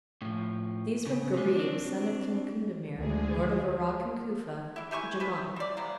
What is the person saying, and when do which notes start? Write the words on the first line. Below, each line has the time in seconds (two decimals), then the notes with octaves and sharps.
These from Gharib, son of King Kundamir, lord of Irak and Cufa, to Jamak.
0.22 A2 F3
1.06 C#3
1.34 C3 G#3
1.56 C4 D4
2.96 D2 F3 G#3 G#4
4.76 E3 E4
4.91 E3 G4 G#5 C#6
5.20 C3 A3 G4 B4
5.56 E3 D5
5.77 C3 G#3 A#3 B3